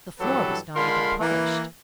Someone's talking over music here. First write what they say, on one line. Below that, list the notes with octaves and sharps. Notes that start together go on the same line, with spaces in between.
The floor was not even polished.
G2 E3 F#3 G4 A4 B4
D3 G#3 F4 A#4 B5 C6
E3 A#3